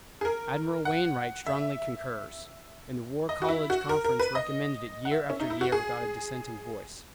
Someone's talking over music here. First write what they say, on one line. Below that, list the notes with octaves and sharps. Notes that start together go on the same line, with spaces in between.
Admiral Wainwright strongly concurs, and the War College Conference recommended it year after year without a dissenting voice.
G#4
A#4
F#5
E5
D#5
F#4
E4
F#4
A#4
A#4
B4
D#5
F#5
E5
C#4
D#4
E4
F#4
G#4